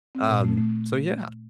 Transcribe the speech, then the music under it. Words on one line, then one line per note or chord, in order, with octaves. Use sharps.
Um so yeah,
C4
A#2
A3
A3